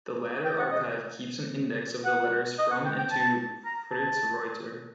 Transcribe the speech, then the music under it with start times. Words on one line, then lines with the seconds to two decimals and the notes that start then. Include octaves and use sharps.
The latter archive keeps an index of the letters from and to Fritz Reuter.
0.45 G5
0.59 F#5
0.72 D#5
2.05 F#5
2.59 D#5
2.71 F#5
2.85 G5
2.98 G5
3.11 A5
3.65 A#5
3.91 A5